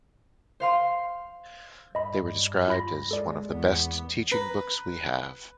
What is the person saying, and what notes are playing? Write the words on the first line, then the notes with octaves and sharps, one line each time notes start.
They were described as "one of the best teaching books we have".
C5 F5 C6
G2 D#5 B5
F4 B5 A#6
G#3 A4 D5
E2 B3
B4 A#5